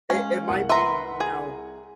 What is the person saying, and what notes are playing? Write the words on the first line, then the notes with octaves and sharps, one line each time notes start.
It it might be, you know
G#3 C#4 F5
C2 A#4 F#5
B4 E5 A#5 C6
G#4